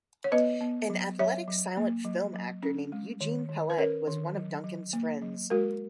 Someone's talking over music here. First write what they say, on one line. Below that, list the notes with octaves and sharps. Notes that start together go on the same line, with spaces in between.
An athletic silent film actor named Eugene Pallette was one of Duncan's friends.
C#5
B3 B4 D#5
B3
F#3
F#3 C#5 E5
F#3
A#3
F#3
F#3
C#4
G#3
D#3
D#3
B4
C#4 A#4 C#5
D#3
F#3
F#3
A#3
F#3
G#3 F#4 A#4